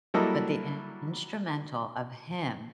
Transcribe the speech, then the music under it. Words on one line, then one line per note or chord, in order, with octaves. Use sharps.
but the instrumental of him
F#3 G3 A#3 E4 A4 D#5